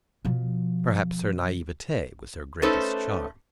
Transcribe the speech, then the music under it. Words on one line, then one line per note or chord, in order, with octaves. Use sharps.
Perhaps her naivete was her greatest charm.
B2 F3
A3 C#4 D#4 A4 B4 C5